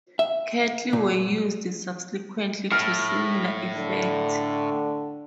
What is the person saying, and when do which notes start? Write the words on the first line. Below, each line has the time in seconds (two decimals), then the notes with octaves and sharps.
Cattle were used subsequently to similar effect.
0.19 E5
0.93 A#2
2.72 A2 F6
3.75 D3